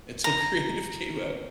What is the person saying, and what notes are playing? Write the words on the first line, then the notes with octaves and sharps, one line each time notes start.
until Creative came out.
A#5